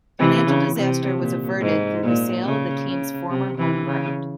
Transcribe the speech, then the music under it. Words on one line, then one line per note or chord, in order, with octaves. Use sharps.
Financial disaster was averted through the sale of the team's former home ground.
C3 E3
C#3
C3
A#2
G#2
A#2
C#3
C#3
C3
C3 E3
C#3